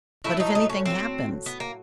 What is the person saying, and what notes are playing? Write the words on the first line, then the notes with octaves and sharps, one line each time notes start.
"But if anything happens-?"
A2 F#3 A3 E4
D#4
D#4
C#4
C4
B3
A#3